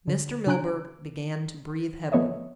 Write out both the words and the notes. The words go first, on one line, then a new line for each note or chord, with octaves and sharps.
Mr. Milburgh began to breathe heavily.
D3
C#3 D4 G#5 A#5 F#6 D7
F3 A3 B3 C#5 D#5 E5